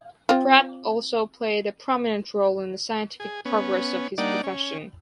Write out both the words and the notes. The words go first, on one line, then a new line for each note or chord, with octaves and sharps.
Pratt also played a prominent role in the scientific progress of his profession.
C4 F4
G#4
B3 C#4
G3 A#3 D4 D#4 D5 F#5
C#4